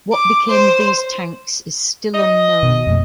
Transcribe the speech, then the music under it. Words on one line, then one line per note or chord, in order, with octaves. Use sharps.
What became of these tanks is still unknown.
D6
C5
D#5
B2
F2 A3